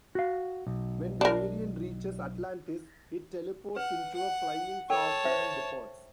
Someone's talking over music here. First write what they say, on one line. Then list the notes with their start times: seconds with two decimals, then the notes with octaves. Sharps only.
When the alien reaches Atlantis, it teleports into a flying saucer and departs.
0.15 F#4 F5
0.67 B1
1.21 D4 A#4
3.76 B4 F#5
4.14 F#5
4.90 A4 A#4 C#5 G5 A5
5.25 C5 E5